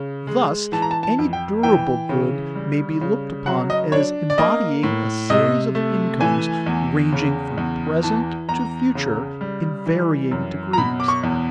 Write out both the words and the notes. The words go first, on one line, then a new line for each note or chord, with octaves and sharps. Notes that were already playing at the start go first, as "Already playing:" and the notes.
Thus, any durable good may be looked upon as embodying a series of incomes ranging from present to future in varying degrees.
Already playing: C#3
G#3
E3 A5
A#5
A5
A5
F2
G5
E3 G5
C#3
G3
C#3
F#3 F#5
D#5
D4 C#5
D5
A#3 D#5
A2
C3 D#5
A3
E3 G#5
E2
C#3
E2
E3 A5
E2 A#5
C#3
G3
E3
F#2
A#5
B2 B5
D6
C#6
E2